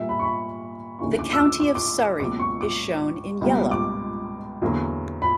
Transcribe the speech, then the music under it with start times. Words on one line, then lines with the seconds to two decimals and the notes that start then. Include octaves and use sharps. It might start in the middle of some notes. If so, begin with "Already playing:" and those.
The county of Surrey is shown in yellow.
Already playing: A#2 G3 A#3 E5
0.09 B5
0.19 C#6
0.23 B5
0.99 D2 C#3 E3 A#3 C#6
1.19 D6
1.33 E6
1.39 D6
1.60 D6
1.75 D6
2.20 C#2 B2 F#3 A#3 D6
2.40 C#6
2.61 D6
3.41 C#2 B2 G3 A#3
3.71 D6
4.62 E2 D3 F#3 A#3
5.22 B5